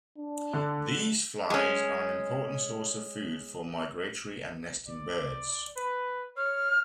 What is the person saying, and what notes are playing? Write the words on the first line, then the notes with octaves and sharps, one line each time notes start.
These flies are an important source of food for migratory and nesting birds.
D4
D3
G#3 C#4
D5
B4
C#5 F6